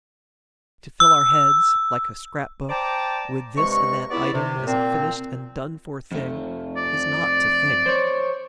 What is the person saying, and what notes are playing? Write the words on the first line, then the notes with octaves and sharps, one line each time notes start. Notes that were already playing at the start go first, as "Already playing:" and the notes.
To fill our heads, like a scrapbook, with this and that item as a finished and done-for thing, is not to think.
E6
C5 D5 G5 A5 A#5 D6
G2 C3 G#3 C#6
C#2 B3 E4 D5
C3
A#2 C4
F2 A3
D5
C5 C#5